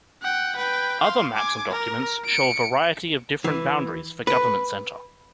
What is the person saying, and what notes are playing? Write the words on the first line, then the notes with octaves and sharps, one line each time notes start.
Other maps and documents show a variety of different boundaries for Government Center.
F#5 G5
B4 G5
F5 C6
G#5 D6
A#4
C#7 D7
E3
B4